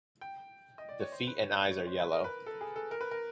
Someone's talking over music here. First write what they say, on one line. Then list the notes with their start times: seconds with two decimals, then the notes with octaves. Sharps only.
The feet and eyes are yellow.
0.21 G5
0.78 D#5
0.89 D5
1.00 C#5
1.12 C5
1.27 B4
1.42 C#5
1.56 D5
1.71 C#5
1.87 C5
1.99 B4
2.12 A#4
2.24 B4
2.46 A4
2.61 G#4
2.76 A4
2.91 A#4
3.01 B4
3.11 A#4